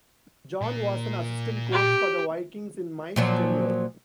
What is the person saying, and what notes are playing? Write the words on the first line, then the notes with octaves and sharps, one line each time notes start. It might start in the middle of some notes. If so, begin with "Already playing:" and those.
John was an assistant coach for the Vikings in Mike's tenure.
A#2 A#4
G4
A#2 F3 F#3